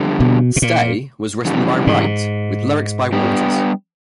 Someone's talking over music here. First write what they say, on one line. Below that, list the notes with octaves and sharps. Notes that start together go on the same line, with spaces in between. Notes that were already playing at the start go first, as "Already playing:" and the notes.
"Stay" was written by Wright, with lyrics by Waters.
Already playing: F2 D3 G3
B2
B2
A#2
F2 C#3 E3 G3
G#2
G3 B3 D4 G4